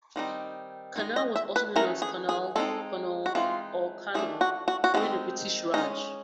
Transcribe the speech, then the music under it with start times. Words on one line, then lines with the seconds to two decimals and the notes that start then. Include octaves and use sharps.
Karnal was also known as Karnaal, Kurnaul or Karnaul during the British Raj.
0.16 D#3 G3 C4 D#4
0.96 D#3 G#3 D#4
1.16 D#5
1.36 E5
1.56 B4
1.76 E3 A3 C#4 A#4
2.02 G#4
2.29 G#4
2.55 G#3 C4 D#4 A4
3.26 F#4
3.35 E3 G#3 C4 D#4 F4
4.14 E3 A3 D4 G#4
4.41 F#4
4.68 F#4
4.84 F#4
4.94 D#3 G#3 C4 D#4 F4
5.74 G#3 C#4 D#4